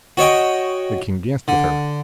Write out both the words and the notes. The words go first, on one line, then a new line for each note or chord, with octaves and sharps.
The king danced with her.
F#4 C#5 D#5 G5
D3